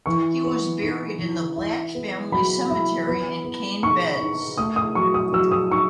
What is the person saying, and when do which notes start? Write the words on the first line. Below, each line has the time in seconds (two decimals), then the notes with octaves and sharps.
He was buried in the Black Family Cemetery in Cane Beds.
0.06 E3 C#6
0.44 B3
0.82 D#4
1.19 E3
1.56 E4
1.95 B3
2.32 F#3 B5
2.70 E4
3.07 B3
3.44 B3
3.83 D#4 C#6
4.21 D#4
4.58 A3 D#6
4.76 D#6
4.95 F#3 C#6
5.14 D#6
5.33 F#3 E6
5.51 D#6
5.70 D#4 C#6